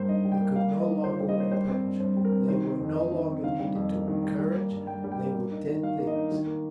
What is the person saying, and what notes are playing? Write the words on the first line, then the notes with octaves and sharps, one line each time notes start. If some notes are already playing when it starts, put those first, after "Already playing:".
They could no longer reproach, they were no longer needed to encourage, they were dead things.
Already playing: G2 G3 A#3 C5
D#4 D#5
G3
G5
A#3
G3 F5
A#3
D#5
D#3
F4 C5
C5
G3
D#5
A#3 C5
G3 C5
C4
G2
G2 C5
G3
A#4
C4
D#3 C5
C4
F2
D#4 D#5
D#3
C4
D#3 F5
G3
F2
A#3
D#3
G3
G3
A#3
G2
G2 G5
G3
G5
A#3
A#3
D#4
D#3
D#3 F5
A#3
D#5
D#4
D#3
A#3